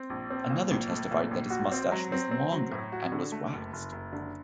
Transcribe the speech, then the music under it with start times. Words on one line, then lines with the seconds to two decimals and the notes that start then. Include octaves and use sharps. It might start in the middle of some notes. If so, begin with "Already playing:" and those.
Another testified that his mustache was longer and was waxed.
Already playing: C4
0.10 A#1
0.30 C4
0.50 A#2
0.71 A#1
0.90 A3
1.11 A#2
1.31 A#1
1.50 F#4
1.72 C4
1.92 F#3
2.12 C4
2.31 C4
2.52 F#3
2.72 A2
2.92 F#4
3.12 D3
3.32 A3
3.53 F#1
3.73 F#1
3.92 F#1
4.13 D3